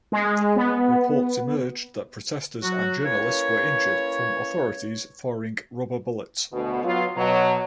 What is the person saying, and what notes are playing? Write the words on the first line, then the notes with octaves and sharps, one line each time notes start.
Reports emerged that protesters and journalists were injured from authorities firing rubber bullets.
G#3
B3
F#3 F#4
A#3 C#4 E4 B4 C#5
D2 B2
F#3 B3 F4
B2 F#3